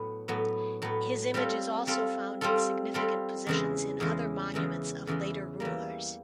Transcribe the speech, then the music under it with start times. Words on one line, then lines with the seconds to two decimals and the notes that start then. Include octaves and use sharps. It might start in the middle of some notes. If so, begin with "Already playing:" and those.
His image is also found in significant positions in other monuments of later rulers.
Already playing: A2 F#3 B3
0.28 A2 F#3 B3
0.82 A2 F#3 B3
1.34 G3 C4 F4 A4
1.87 G3 C4 F4 A4
2.41 G3 C4 F4 A4
2.94 G3 C4 F4 A4
3.47 E2 C#3 E3 G#3
4.00 E2 C#3 E3 G#3
4.54 E2 C#3 E3 G#3
5.07 E2 C#3 E3 G#3
5.60 E3 G3 A#3